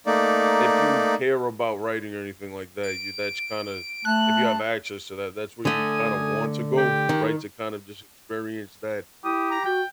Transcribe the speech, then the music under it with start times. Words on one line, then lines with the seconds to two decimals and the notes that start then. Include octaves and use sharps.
If you care about writing or anything like that, you that's kinda if you have access to that, that's where you kinda want to go, right, to kinda just experience that
0.06 A3 A#3 D#4 D5
2.83 D7
4.05 A3 A5 F#6
5.65 D3 A3 G#5 D#6
6.77 G4 G5
7.09 D#3
9.24 E4 G4 D#6
9.51 A#5
9.65 F#4 G5